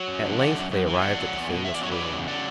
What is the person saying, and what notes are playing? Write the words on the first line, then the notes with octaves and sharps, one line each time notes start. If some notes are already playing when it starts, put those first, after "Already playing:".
At length they arrived at the famous room.
Already playing: F#3
F#2
D3
E3 D5 F#5
F#2
F#2
E3
E2 D5 F#5
F#3
E2
B2
E2 E5
D5
F#3 C#5
E2 B4 D5
C#3
F#3 D5 F#5